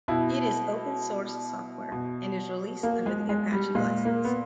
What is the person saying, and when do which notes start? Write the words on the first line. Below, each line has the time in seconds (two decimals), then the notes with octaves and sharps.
It is open-source software, and is released under the Apache License.
0.08 B2 E4
1.92 B2
2.83 A#3
3.06 G#3
3.29 G#3
3.52 G3
3.75 A#2 G#3
4.05 A#3
4.25 B3